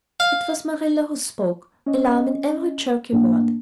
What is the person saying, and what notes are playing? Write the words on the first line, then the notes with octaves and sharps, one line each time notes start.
It was Marilla who spoke, alarm in every jerky word.
F5
C#4 D#5
A2 A#3 D4